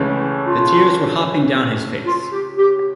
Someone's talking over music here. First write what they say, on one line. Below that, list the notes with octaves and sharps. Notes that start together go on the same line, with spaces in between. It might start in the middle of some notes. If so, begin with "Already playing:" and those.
The tears were hopping down his face.
Already playing: C#2 C#3 E3 A3
F4
F4
G4
G4